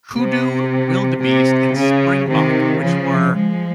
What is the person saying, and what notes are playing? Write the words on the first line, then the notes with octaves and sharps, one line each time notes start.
hoodoo, wildebeest, and springbok, which were,
C3
C3
C#3
C3 D#3
C#3 F3
F3 G#3